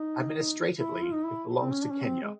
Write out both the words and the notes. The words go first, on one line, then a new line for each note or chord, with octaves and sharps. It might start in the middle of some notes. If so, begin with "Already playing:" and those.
Administratively it belongs to Kenya.
Already playing: D#4
E4
F4
D#4
E4
C4
C#4
D4
C#4
C4
G#3